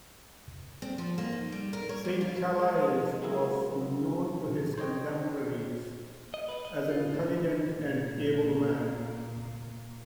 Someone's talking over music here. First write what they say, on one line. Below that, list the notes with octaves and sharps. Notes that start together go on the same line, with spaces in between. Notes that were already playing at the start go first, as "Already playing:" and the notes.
St-Calais was known to his contemporaries as an intelligent and able man.
C4
F3
A#3
D#4
G3
A#4
C#5
G3
F4
G#3
F#3 G#3 A#3 E4 G#4
C5 C#5 D#5 G5
D#5
B4
D#5
F4
A2
A#2 A#3